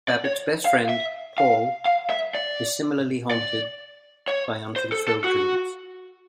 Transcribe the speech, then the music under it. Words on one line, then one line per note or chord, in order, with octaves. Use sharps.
Babbitt's best friend, Paul, is similarly haunted by unfulfilled dreams.
D5
C#5
F5
E5
F5
F5
E5
D5
D5
C#5
C5
A4
A4
F#4